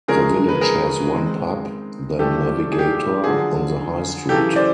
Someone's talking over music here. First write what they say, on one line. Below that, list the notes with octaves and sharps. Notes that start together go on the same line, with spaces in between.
The village has one pub, The Navigator, on the High Street.
C#3 F3 G#3 C#4 G#4 A#4
B4
G#4 A#4
D#3 G#3 C4 D#4
G2 E3 A3 D4 G4 A4
G#4
G4
G4
F#2 D3 F3 G#4
F#2 C#3 E3 G4 A4
C5 D5